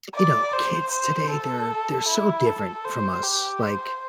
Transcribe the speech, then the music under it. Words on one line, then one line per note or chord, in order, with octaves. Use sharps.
you know, kids today, they're they're so different from us, like,
D5
C5
C5
A4
E4
A4
C5
G4
C5